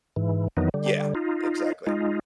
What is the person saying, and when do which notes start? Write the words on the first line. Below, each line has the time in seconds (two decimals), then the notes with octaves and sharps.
Yeah. Exactly.
0.16 G#2 E3
0.57 F2 D#3 E3 F#3 B3 D#4
0.74 D3 G3
1.15 D#4 F4
1.87 G#3 D#4 F4